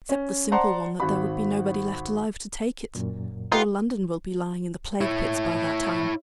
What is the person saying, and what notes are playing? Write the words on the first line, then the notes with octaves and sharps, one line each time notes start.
"Except the simple one that there would be nobody left alive to take it. All London will be lying in the plague-pits by that time."
C#4
C5 D5 F#5 A5 A#5 C6
G#1 F#4 B5
F#2 A#2
D#4 F4 G4 B4 F#5
E4 C#5